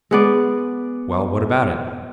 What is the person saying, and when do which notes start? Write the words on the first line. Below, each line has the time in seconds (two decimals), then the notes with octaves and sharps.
"Well--what about it?"
0.11 G#3 B3 D5